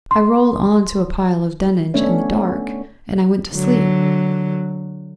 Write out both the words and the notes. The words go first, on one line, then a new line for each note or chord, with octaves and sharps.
I rolled on to a pile of dunnage in the dark and I went to sleep.
C6
A3 B3 C#4 D4 C#5 E5
D3 F#3